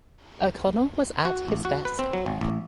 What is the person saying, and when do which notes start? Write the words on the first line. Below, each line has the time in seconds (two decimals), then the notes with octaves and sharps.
O’Connell was at his desk.
1.25 F#4
1.48 A1
1.65 F#4
1.85 B4
1.99 C4
2.13 F#3
2.26 G#1
2.41 A1